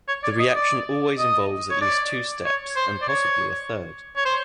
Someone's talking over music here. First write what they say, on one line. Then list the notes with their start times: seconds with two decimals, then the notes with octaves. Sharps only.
The reaction always involves at least two steps, and possibly a third.
0.08 C#5
0.24 D5
0.39 D#5
0.56 D5
1.19 D#5
1.71 C#5
1.82 D5
2.45 C#5
2.76 C5
3.02 D5
3.09 C#5
4.17 C#5
4.25 C5